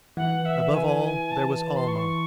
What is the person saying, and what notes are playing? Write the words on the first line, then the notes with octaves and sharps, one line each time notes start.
Above all, there was Almah.
E3 F#5
E5
G#5
G#5
A5
A5
C6
C#6